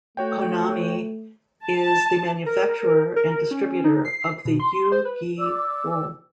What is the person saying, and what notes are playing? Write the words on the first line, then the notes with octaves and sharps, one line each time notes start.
Konami is the manufacturer and distributor of the Yu-Gi-Oh!
A3 F#4 C#5 G5
A5
A#4
A#4
C#4
D#4
C7
B2
C6
C5
B4
D5 D6 E6